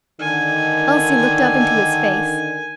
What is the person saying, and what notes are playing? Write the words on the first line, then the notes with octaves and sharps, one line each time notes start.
Elsie looked up into his face.
D3 D#3 G#5